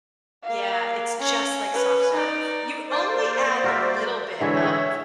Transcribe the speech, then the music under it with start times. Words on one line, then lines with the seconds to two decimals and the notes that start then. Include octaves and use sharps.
yeah, it's just like soft serve. You only add a little bit of,
0.43 A#3 F5
1.19 C#4
1.72 C#4 B4
2.11 D#4 D5
2.89 A#3 C5 D5
3.64 F#4 A#4 E5
4.41 D3 E3 G#3 C#5 E5
4.62 G#4 D#5